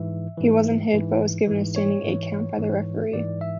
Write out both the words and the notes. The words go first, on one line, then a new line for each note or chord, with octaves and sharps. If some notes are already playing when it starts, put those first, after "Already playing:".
He wasn't hit, but was given a standing eight-count by the referee.
Already playing: G#2 E3 E5
G#2 E3
G#2 E3
G#2 E3
C#5
G#2 E3
G#2 E3
G#2 E3 D5
E5